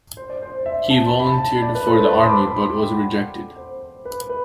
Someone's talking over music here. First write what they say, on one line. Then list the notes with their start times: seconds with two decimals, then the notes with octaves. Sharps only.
He volunteered for the army but was rejected.
0.17 C5
0.29 D5
0.42 C5
0.66 E5
0.90 A5
1.02 A5
1.19 B5
1.26 A5
1.38 A5
1.62 D5
1.75 B4
1.87 A4
1.94 C5
1.99 B4
2.11 A5
2.17 C6
2.23 B5
2.30 D6
2.36 C6
2.47 B5
2.76 G5
2.92 F#5
3.56 C5
4.05 B4
4.29 B4